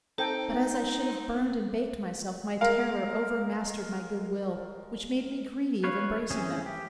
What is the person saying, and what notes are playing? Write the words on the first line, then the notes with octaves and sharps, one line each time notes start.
But as I should have burned and baked myself, My terror overmastered my good will, Which made me greedy of embracing them.
C4 D#4 A4 C5 G5
G#3 A#4 F5
B4 C#5 F5
E3 C4 C#4 G#4
G4